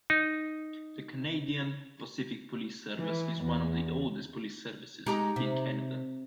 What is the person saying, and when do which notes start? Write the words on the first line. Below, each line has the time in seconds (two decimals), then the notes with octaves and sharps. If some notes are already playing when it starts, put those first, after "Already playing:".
The Canadian Pacific Police Service is one of the oldest police services in Canada.
0.10 D#4
2.96 E3
3.43 E2
5.06 G#3 D#4 G4 A#5
5.36 C3